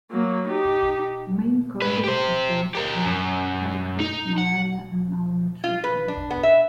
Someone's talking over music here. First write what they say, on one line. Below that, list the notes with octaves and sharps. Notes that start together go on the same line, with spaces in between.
Main causes of death were typhus, malaria, and malnutrition.
F#3 A#3
D#4 G4
G#2 B4
G4 C5
G4 A#4
F#2
D#4
F#5
F4
B4
D4
B3
E5